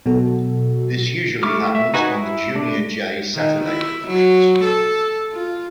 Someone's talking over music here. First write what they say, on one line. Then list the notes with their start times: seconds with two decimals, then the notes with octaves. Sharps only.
This usually happens on the Junior Jay Saturday promotions.
0.06 B2 F#3 F#4 A4
1.43 A3 E4 C#6 D6 F6
1.75 E5
1.94 D#4 F#4 B4 G#5
2.13 E4
2.55 A3 D4
3.34 D#3
3.64 E4
4.08 F#3
4.65 A4
5.32 F4